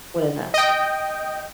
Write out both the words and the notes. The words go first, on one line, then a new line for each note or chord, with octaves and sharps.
What is it?
D#5 G5